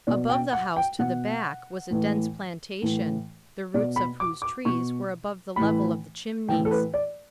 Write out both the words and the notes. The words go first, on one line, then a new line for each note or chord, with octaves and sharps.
Above the house to the back was a dense plantation, the roots of whose trees were above the level of the chimneys.
B2 D5
G5
F#5
G5
B2 F#5
A2 E3
A2 E3
B2 D5
B5
D6
D6
B2 C#6
A2 E3 B5
A2 E3 G5
A4
B4
D5